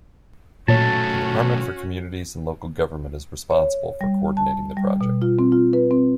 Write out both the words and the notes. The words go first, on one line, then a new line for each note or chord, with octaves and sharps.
The Department for Communities and Local Government is responsible for co-ordinating the project.
B1 A#2 A3 C#4 F#4 C#5 A5
C#5
G3
A5
G3
B2
F4
C4
F4
B4
C4